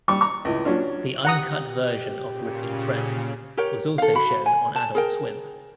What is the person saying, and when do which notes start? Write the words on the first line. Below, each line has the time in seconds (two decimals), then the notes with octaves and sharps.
The uncut version of Ripping Friends was also shown on Adult Swim.
0.08 G3 G5 C#6
0.21 A#5 C#6
0.45 C#2 A2
0.65 F#3 C#4 D4 F4
1.25 G4 F#5 A#5 D#6
2.25 A#2 C#3
3.57 G4 A#4 C#5 G5
3.98 A4 F5
4.15 F#4 B5
4.46 G#5
4.76 A5
4.95 G#4 A#4 G5